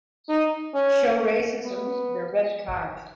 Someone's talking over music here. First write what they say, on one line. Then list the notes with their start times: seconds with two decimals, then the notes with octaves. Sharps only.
Show Racism the Red Card.
0.29 D#4
0.74 C#4
1.63 B3